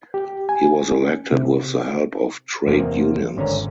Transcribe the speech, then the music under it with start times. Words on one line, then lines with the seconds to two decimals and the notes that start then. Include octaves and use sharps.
He was elected with the help of trade unions.
0.14 G4
0.49 G#5
0.89 C#4
1.32 C3
2.67 E2 C3 A#3 F5
3.36 G#1 D3 C#4 G#5 A#5